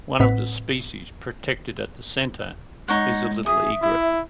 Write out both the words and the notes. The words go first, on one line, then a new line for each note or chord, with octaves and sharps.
One of the species protected at the centre is the little egret.
A1 A2 C4 B4 F#5 B6
G#3 D#4 C#5 F#5
G#4 E5 D#6
E4